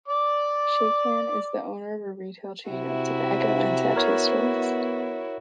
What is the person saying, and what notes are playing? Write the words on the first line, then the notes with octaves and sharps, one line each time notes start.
Sheikhan is the owner of a retail chain of tobacco and tattoo stores.
D5 D6
C3 E4 F#4
B3 A#4 C#5